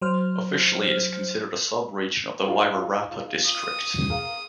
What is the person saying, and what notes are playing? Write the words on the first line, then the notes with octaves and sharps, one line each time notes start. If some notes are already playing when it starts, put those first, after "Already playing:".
Officially it is considered a sub-region of the Wairarapa district.
F#3 C5 F6
D#4 F4 G#4
D#6
G#4 A#4 F5